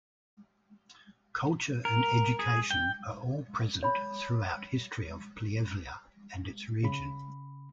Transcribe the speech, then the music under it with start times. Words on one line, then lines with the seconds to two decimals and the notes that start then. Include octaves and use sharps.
Culture and education are all present throughout history of Pljevlja and its region.
1.85 A#4
2.39 G#4
2.71 G5
3.83 C#5 B5
6.83 C#3 B5